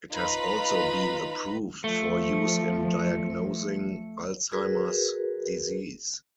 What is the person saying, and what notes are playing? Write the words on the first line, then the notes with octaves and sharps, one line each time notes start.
It has also been approved for use in diagnosing Alzheimer's disease.
D#4 F4 B4 A#5 B5
F3 A3
F#4 G#4 A#4 B4